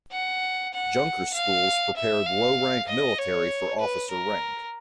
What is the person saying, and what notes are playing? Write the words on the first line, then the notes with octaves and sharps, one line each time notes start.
Junker schools prepared low-rank military for officer rank.
F#5
F#5
F5
E5
F5
D#5
C#5
B4
A#4